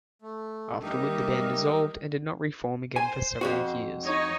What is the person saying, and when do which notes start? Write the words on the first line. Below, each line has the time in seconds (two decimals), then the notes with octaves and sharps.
Afterward, the band dissolved and did not reform again for several years.
0.22 A3
0.82 G3 A#3 D#4 G4 A#4 D#5 E5
2.96 C5 G#5
3.41 F2 G#2 F#4
4.03 D#4 C#5 D#5